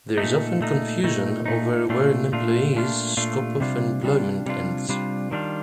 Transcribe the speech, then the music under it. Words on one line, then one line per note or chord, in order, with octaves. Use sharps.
There is often confusion over where an employee's "scope of employment" ends.
A#2 A3 D#4
A#2 A3 D#4
A#2 A3 D#4
A#2 A3 D#4
A#2 A3 D4 F4
A#2 A3 D4 F4
A#2 A3 D4 F4
A#2 A3 D4 F4
C3 G3 D4 F4
C3 G3 D4 F4
C3 G3 D4 F4
C3 G3 D4 F4
D#3 G3 D4 F4